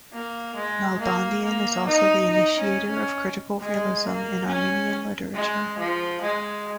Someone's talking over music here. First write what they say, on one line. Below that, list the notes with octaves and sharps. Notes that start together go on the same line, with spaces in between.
Nalbandian is also the initiator of critical realism in Armenian literature.
A#3
G#3
A#3
A#3
D#4
D#4
C#4
C#4
G#3
A#3
C#4
G#3
F3
G#3